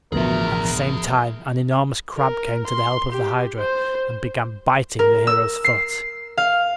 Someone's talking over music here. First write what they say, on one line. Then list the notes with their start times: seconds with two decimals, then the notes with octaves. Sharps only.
At the same time an enormous crab came to the help of the hydra and began biting the hero's foot.
0.12 A1 D2 B2 F3 G#4 A#4 E5
2.17 A#4
2.67 C6
3.13 G4
3.57 C5
4.99 A#4
5.27 E6
5.64 C7
6.37 F5